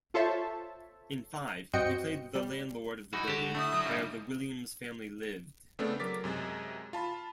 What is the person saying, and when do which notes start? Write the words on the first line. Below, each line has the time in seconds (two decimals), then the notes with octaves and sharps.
In five, he played the landlord of the building where the Williams family lived.
0.14 F4 A4 C5 C#5 E5 A5
1.73 G2 C4 F#4 D#5 G5 C#7
2.35 G3
3.13 E3 D#4 F#4
3.28 D3 G4 A5
3.55 A3 D4 E4 D#6
3.73 F#3
3.86 G#2 C#3 G3
5.79 C#3 A3 B3 C4 D4 A4
6.00 F#3 A#4 D6 A6 B6
6.24 F#2 C3 G#3
6.93 F4 A5 B5